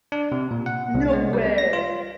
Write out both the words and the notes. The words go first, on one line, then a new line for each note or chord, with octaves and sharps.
No way!
D4
C3
A#2
F#5
C2
G#3
G3
A#6
F4